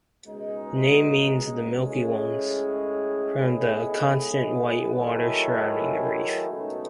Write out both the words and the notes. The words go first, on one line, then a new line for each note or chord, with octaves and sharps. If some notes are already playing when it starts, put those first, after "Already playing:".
The name means "the milky ones", from the constant white water surrounding the reef.
C#2 B2 G#3 D#4
A2 G#3 C#4 G#4
A2 G#3 B3 D#4 G#4
D#3 F#3 A3 E4 G#4
C#2 B2 A3 D#4